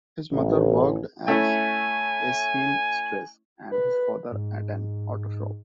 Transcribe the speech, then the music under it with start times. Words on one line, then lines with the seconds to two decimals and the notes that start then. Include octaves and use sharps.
His mother worked as a seamstress, and his father at an auto shop.
0.31 A1
1.28 A3 C#4 E4 G#5
3.71 B4
4.31 G#2